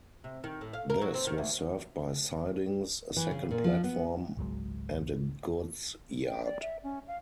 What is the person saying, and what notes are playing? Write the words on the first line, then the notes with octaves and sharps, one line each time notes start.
This was served by sidings, a second platform and a goods yard.
C3
D#3
A2
F5
A#4
F#3
C4
D#3
D2
E3
C#3
A#2
F3
B3
G#1 C#2 F#3 G#3
G5
D5
E5
C#4
F5